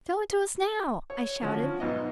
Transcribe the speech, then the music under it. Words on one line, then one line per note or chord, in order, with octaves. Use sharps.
"Show it to us now!" I shouted.
C#5
D3 F3 C#4 F#4
F4
B1 G#2 B3 D#5